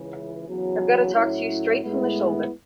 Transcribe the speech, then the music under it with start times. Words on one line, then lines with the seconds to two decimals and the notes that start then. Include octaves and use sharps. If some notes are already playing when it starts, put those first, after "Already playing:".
I've got to talk to you straight from the shoulder.
Already playing: C#2 C#3 E3
0.46 E2 C#3 F#3
1.15 A2 F#3 C#4 E4
1.83 A2 G#3 B3 E4